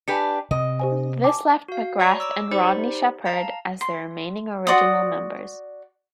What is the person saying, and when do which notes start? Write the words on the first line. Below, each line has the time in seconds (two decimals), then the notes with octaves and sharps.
This left McGrath and Rodney Sheppard as the remaining original members.
0.08 D4 G4 B4 G#5 C#7
0.51 C3 D#5
0.80 G4 C5 G#5
1.24 G#5 A5 D6
1.68 F#4 F5
1.99 C#5 D5 A#5 B5 C#6
2.20 D6 E6
2.51 D#4 G4 C5 D5 B5
3.26 F5 A5 A#5
3.81 C6
4.67 F#4 D5 C6 D#6